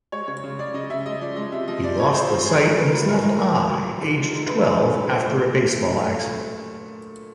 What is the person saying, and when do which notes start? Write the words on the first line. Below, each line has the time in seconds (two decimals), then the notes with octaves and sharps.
He lost the sight in his left eye aged twelve after a baseball accident.
0.12 G#3 C#5
0.28 C#3 C#5
0.44 C#3
0.59 C#3 D5
0.74 C#3 D#5
0.90 C#3 E5
1.06 G#3 D#5
1.21 F3 D5
1.36 G#3 D#5
1.52 C3 E5
1.68 F3 D#5
1.83 C3 D5
1.98 F3 C#5
2.14 C3 C5
2.30 F3
2.46 F3 G#4
2.61 A3 A#4
2.76 F#3 B4
2.92 F#3 B4
3.07 A2 A#4
3.23 A2 A#4
3.39 A2
3.54 F#3
3.70 F#3
3.85 F3
4.01 D3
4.17 G#3
4.32 G#3
4.47 D3 B4
4.63 G#3 B4
4.78 F3 B4
4.93 G#3 B4
5.09 A#2 C5
5.25 A3
5.40 A#2
5.56 A#2
5.72 A3
5.87 F#3
6.03 A3